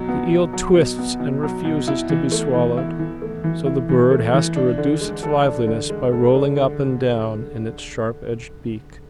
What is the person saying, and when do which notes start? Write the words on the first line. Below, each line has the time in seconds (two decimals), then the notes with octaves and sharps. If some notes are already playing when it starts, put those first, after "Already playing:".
The eel twists, and refuses to be swallowed; so the bird has to reduce its liveliness by rolling up and down in its sharp-edged beak.
Already playing: B2 F#3
0.09 B3
0.32 B2
0.53 F#3
0.76 B2
0.99 B3
1.20 B2
1.43 F#3
1.65 B2
1.88 E4
2.10 E3
2.32 A3
2.54 E3
2.77 E4
2.99 E3
3.22 A3
3.44 E3
3.66 E4
3.89 E3
4.11 A3
4.34 E3
4.56 D4
4.78 D3
5.01 G#3
5.23 A4
5.45 D4
5.67 D3
5.90 G#3
6.12 A4
6.34 D4
6.56 D3